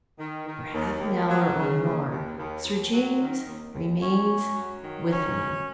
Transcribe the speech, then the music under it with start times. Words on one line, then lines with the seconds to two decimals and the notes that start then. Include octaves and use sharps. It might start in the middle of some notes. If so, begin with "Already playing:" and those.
For half an hour or more Sir James remains with me.
0.18 D#3
0.46 D#3
0.74 D#2
1.01 D#2
1.28 F#3
1.56 C#3
1.82 D#2
2.10 D#2
2.37 D#2
2.64 D#2
2.91 F#3
3.19 D#3
3.46 D#2
3.74 D#2
4.00 C#4
4.28 F#2
4.55 F#3
4.83 D#3
5.10 C#4
5.38 F#2